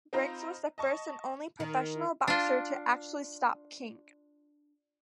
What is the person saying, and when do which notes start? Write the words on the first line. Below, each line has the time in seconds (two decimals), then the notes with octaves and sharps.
Briggs was the first and only professional boxer to actually stop King.
0.13 C4 D#4 F4 C5 A#5 B5
0.78 D#5 A5 C#6
1.60 D#3
2.28 D4 F4